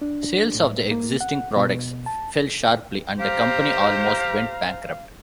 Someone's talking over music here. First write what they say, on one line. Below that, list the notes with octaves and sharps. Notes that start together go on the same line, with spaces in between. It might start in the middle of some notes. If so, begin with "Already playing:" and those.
Sales of the existing products fell sharply, and the company almost went bankrupt.
D4
A2
A#3
F#5
B2
A5
G4 C5 F5 A#5